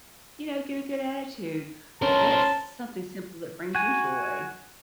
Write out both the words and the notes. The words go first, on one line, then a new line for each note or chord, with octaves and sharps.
you know, get a good attitude. W what's something simple that brings you joy?
C#4 A#4 C5 A5
F#4 G#5